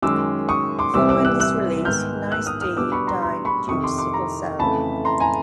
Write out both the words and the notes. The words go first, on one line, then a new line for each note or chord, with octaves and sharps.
Following this release, Nyce D died due to sickle cell.
F#2 D#3 G#3 C#4 D6 E6
C#6 D#6
C6 D6
C2 C3 E3 G3 D6 E6
D6 E6
E6 F#6
E6 F#6
G#2 D#3 G#3 B3 F6 G6
E6 F#6
D#6 F6
D#6 F6
B2 G3 B3 D4 D6 E6
B5 C#6
A#5 C6
A#5 C6
B5 C#6
F2 C3 D#3 C#6 D#6
C6 D6
C6 D6
A#5 C6
F2 C#3 E3 A3 A5 B5
A#5 C6
G#5 A#5